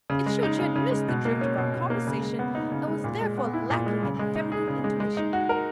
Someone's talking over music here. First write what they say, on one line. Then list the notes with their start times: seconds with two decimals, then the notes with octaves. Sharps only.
It showed she had missed the drift of our conversation, and was therefore lacking in feminine intuition.
0.10 C#3
0.26 G#3
0.43 D#4
0.59 C#3
0.76 C#3
0.91 G#3
1.08 B2
1.25 A#3
1.41 C#4
1.58 B2
1.74 B2
1.90 A#3
2.07 C#3
2.22 G#3
2.39 B3
2.55 D#4
2.72 C#3
2.87 G#3
3.04 A#2
3.21 G#3
3.38 B3
3.54 E4
3.70 A#2
3.86 G#3
4.02 C#3
4.19 G#3
4.35 D#4
4.52 G#4
4.68 C#3
4.84 G#3
5.00 G#3
5.17 D#4
5.33 F#4
5.49 A#4